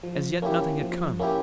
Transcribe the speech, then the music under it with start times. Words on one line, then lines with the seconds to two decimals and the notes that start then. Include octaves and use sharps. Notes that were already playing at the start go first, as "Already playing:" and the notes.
As yet, nothing had come.
0.04 F3
0.42 A#3 C#4 E4 G4
0.81 F3
1.19 A#3 C#4 E4 G4